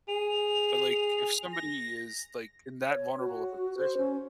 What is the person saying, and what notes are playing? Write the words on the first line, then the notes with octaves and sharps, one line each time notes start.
but like if somebody is like in that vulnerable of a position
G#4 F7
A#6
C#5
F#4
C5
C#4